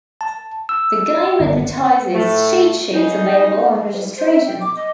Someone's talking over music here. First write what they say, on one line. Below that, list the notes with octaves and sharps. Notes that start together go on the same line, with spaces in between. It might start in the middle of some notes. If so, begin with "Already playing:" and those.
The game advertises cheat sheets available on registration.
A5
E6
G1
A2 A3
C#3 D#4
C5
E5
G5
D6
D#5